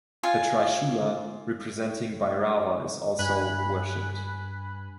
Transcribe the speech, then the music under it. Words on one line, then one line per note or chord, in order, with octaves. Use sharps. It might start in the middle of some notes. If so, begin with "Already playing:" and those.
A trishula representing Bhairava is also worshipped.
F4 F5 G#5
G2 G#5 B5 F#6